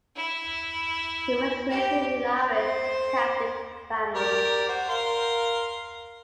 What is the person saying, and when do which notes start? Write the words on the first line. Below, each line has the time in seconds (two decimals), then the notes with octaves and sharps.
He was raised in an Irish Catholic family.
0.16 E4
1.70 G4
2.54 C5
4.15 G4 A#4 D5
4.68 F#4 C5
4.89 A#4 F5 C6